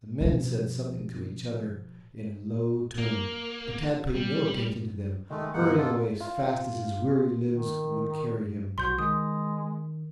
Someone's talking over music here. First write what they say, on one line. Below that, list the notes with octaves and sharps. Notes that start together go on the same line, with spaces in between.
The men said something to each other in a low tone, but Tad paid no attention to them, hurrying away as fast as his weary limbs would carry him.
B2 F3
A#3
G3
D#3 G#3 A3
G2 B2 A#3 D#4 F#5
A#3 F4 A4 D#5 F#5
F4
D#3
B1 F#4 C6 G6
D#3 G#3 D#6